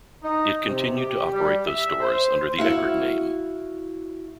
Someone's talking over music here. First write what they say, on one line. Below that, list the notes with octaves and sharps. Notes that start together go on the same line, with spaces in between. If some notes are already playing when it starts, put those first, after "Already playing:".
It continued to operate those stores under the Eckerd name.
D#4
C3
G4
G3
E5
C5
E4 F#4 F5